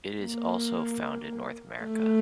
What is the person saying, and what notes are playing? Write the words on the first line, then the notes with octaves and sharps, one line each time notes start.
It is also found in North America.
A#3
A3